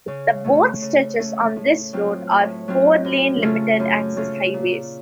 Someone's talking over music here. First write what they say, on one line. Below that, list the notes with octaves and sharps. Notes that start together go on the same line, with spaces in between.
The both stretches on this route are four-lane limited-access highways.
C#3
A3 C#4
C#3
A3 C#4
A2
F#3 C4 F4
A2
F#3 C4 F4
F#2
C#3 A3 C#4 F4
F#2
C#3 A3 C#4 F4
A#2